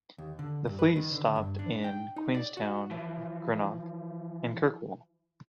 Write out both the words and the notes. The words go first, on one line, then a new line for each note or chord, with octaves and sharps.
The fleet stopped in Queenstown, Greenock, and Kirkwall.
D#2
D3
G2
B4
D#3
D3
G2
D4
G5
D#4
D5
F#4
E3 F3